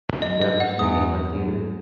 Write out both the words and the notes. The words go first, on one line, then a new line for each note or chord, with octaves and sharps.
Did you ever see me in the theater?
F#2 D#5
D#5
F#5
E2 D#6
F#2